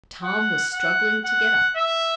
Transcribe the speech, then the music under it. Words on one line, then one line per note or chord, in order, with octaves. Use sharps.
Tom was struggling to get up.
F#5
F#5
F#5
E5